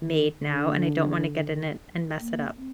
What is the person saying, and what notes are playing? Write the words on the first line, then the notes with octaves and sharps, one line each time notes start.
made now, and I don't wanna get in it and mess it up.
D#3
D3
A#3
C4